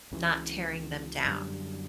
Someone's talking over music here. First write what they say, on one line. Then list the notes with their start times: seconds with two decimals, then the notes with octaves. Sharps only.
not tearing them down.
0.12 C#2 C#3 E3
1.25 F#2 D3 G3